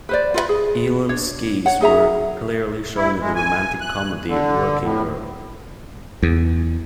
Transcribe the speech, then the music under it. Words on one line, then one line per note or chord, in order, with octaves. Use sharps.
Elan skis were clearly shown in the romantic comedy "Working Girl".
B4 C5 D5
F4 B4 C#5 B5
G#4
D4 C#5
C#5 F#5
D#4 G#4 E5 A#5
E4
G#3
G#5
F#6
D3
A2
E2